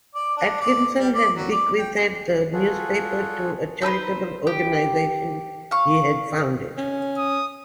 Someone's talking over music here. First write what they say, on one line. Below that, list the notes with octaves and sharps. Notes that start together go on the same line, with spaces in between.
Atkinson had bequeathed the newspaper to a charitable organization he had founded.
D5
D4
D5
G3
D5
F#3
D5
G5
F4 F#4 G#4 A4
D#4 A4 B4 C5
G4
F5 C#6
C#4
D#6